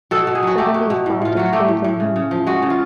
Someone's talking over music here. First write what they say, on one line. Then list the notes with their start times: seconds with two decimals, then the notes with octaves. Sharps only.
Suddenly his past explodes on him.
0.11 B2 A4
0.27 B2
0.35 G#4
0.43 F#3 F#4
0.58 A3 G4
0.74 B2
0.90 B2
1.06 A2
1.22 A2 F4
1.37 F#3 F#4
1.53 A3 G4
1.68 A2
1.84 A2
2.00 C#3
2.16 C#3
2.31 F3
2.47 G#3 F#4
2.62 C#3
2.70 F4